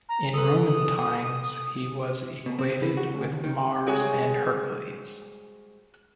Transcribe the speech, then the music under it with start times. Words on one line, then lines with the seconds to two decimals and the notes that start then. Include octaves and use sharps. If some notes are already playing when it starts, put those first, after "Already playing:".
In Roman times he was equated with Mars and Hercules.
0.09 A#5
0.33 A4 B4 D#6
2.46 B2
2.59 C4
2.82 E3
2.97 F#4
3.14 D2
3.32 D#2
3.44 D#3
3.86 G3 G#3 C4 F#4 G#4 C#5